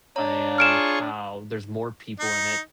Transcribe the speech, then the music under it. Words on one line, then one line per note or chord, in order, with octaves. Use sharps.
uh, and how there's more people in it,
D4 C#5 A#5
F4 G#4 C#6 F6 D7 E7
D#4